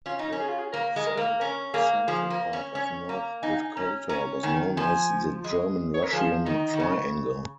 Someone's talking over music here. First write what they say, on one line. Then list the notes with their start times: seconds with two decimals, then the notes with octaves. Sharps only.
The south-central part of North Dakota was known as "the German-Russian triangle".
0.06 C#4 F4
0.19 D#4
0.32 C#4
0.40 G#4
0.49 F4
0.59 G#4
0.72 A#3 A#4
0.96 G#3
1.07 A#4
1.17 A#3
1.40 C#4 A#4
1.74 A#3 G#4
2.08 F3 G#4
2.30 A#3
2.42 A#4
2.53 C#4
2.75 C#4 C#5
3.09 A#3 A#5
3.42 D#4 G#5
3.50 F5
3.57 G#5
3.76 C#4 A#5
4.09 C#4 A#5
4.43 D#3 G#5
4.77 F3 G#5
5.44 G#3
5.94 C#5
6.04 A#4
6.12 F3 G#4
6.46 D#3 D#4
6.73 D#3
6.80 C#3